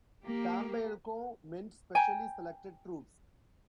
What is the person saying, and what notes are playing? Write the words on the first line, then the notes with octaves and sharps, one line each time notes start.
Sambyeolcho meant specially selected troops.
A#3 G4
G5 G#5 A#5